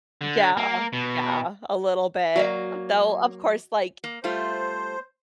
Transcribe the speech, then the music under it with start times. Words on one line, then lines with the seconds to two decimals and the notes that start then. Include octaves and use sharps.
Yeah, yeah, a little bit, though, of course, like,
0.21 D3
0.57 A#3
0.93 B2
2.36 F#3 A#3 F#4 D5
4.04 A#3
4.24 G3 A3 F4 C5